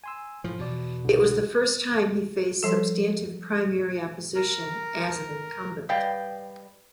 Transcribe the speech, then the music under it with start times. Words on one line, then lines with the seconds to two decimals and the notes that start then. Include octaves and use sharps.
It was the first time he faced substantive primary opposition as an incumbent.
0.04 G#5 C6 E6
0.44 A2 F3
0.59 E2 B2 D5
1.04 C2 D3
2.63 F3 G3 A4
4.35 A#4
5.89 G3 B4 D5 D#5 F5 G5